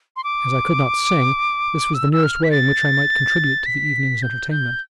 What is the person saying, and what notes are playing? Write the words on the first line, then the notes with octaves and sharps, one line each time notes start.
As I could not sing, this was the nearest way in which I might contribute to the evening's entertainment.
C6
D6
E6
E6
F6
B6
A6
B6
G6
G6